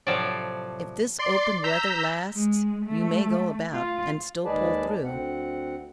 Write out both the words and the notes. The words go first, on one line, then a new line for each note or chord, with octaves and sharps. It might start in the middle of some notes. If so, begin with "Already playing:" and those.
If this open weather lasts you may go about and still pull through.
A2 C3 F3 F#3 C#5 D5
D5 C6
A#5 E6 G6 B6
G#3
A3
F4
D#2 G#3 G#4 B4 D5 A5
D2 C4 F#5